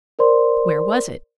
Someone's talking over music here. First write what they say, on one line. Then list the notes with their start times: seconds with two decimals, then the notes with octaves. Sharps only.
Where was it?
0.19 A#4 C5 D5 B5 C6